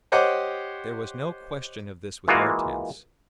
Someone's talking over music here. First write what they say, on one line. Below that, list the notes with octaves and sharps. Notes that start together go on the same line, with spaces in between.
There was no question of this with our tents.
G4 C5 C#5 D#5 F#5 D6
E3 G#3 A#3 F4 F#4